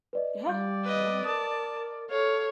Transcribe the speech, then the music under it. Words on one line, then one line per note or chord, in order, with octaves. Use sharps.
Uh-huh. Yeah.
B4 D5 D#5
G3 D5 F5 G6
B4 D#5
A#4 A5 D#6
A4 C#5 F5